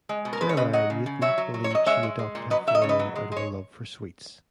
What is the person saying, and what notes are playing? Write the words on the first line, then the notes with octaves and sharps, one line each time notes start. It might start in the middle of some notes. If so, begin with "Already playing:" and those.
Jeremiah Newton believed she adopted her forename out of a love for sweets.
G#3
B2
A#4
G#3 B4
C#5
C#3 B4 D#5
F#3 D#5 F#5
C#3
C#3
F#3 C#5 E5
F#3
F#3
C#5
F#3 D#5
G#3 C#5 E5
G#3
G#3
A#2
F#3 B4 D#5
F#3 E5
D#5
C#3 C#5
B4 D#5
F#3
G#3
G#3 C#5